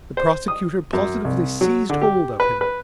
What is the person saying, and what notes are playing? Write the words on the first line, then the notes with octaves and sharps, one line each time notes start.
The prosecutor positively seized hold of him.
C5
D#6
F#2
C2
F#3
D3
G4
B4
B4